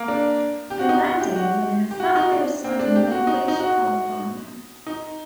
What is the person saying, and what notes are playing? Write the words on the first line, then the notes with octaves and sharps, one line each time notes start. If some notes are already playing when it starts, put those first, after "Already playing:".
Fernandez and her family reside in Long Beach, California.
Already playing: A#3
D4
G4
F#4
D#4
F#4
G4
F#4
G4
F#4
D#4
D4
C4
D4
G4
F#4
D#4
D#4
F#4
D#4